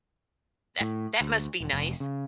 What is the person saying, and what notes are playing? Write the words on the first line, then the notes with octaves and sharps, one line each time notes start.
That that must be nice.
A2
D2
E1
F1
C#3